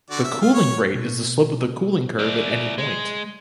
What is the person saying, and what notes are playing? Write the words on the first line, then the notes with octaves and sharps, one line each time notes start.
The "cooling rate" is the slope of the cooling curve at any point.
D3 F#4 D5
E5
F4
C#5
B2
E4 D5
G#3